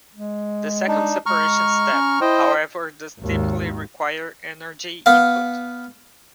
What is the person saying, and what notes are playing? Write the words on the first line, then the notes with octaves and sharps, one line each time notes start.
The second separation step, however does typically require energy input.
G#3
D4 D#4
G#3 A#5 C#6 F6
C#4
E4 C5 D#5 G5
G#1 D#2
B3 F5